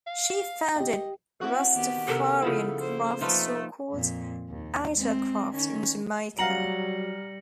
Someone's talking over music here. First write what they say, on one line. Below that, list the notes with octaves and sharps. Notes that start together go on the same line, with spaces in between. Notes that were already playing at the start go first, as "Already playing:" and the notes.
She founded a Rastafarian craft store called "Ital Craft" in Jamaica.
F5
G4 D#5 G5
C4 E4 F#4
D#3 B3 G4
C3 B3 D4 A4 A#4
C#3 F3 E4
A#3 C5
C3 F3 A3 A#3 D#4 F4 B4
F2 A#2
D#2
G#3 C4
D#3 C#4
F#3 G3 F5 F#5 A#5 A#6 C#7 F#7